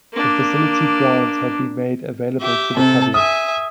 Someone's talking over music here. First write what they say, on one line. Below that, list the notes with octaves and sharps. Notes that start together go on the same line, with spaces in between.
The facility grounds have been made available to the public.
A#3 D4
G4 E5
C3 A4
E5 G#5 D#6